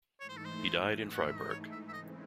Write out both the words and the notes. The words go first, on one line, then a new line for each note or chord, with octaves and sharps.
He died in Freiburg.
G#2 E3 A3 D#4 C#5
C5
A4
C5
F#5
E5
D#5
C#5
E5
E5
C#3 G#3 C4 E4 D#5